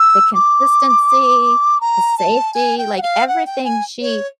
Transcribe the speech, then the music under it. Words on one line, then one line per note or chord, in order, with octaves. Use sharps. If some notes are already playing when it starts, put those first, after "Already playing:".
the consistency, the safety, like, everything, she
Already playing: E6
D6
A#5
A5
G#5
G5
F#5
F5
F#5
G5
G#5
C#5